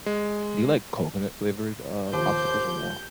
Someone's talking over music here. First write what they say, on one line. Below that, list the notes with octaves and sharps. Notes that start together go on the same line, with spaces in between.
do you like coconut-flavored, uh, popsicles or no?
G#3
D#2 F3 C5 D6 G6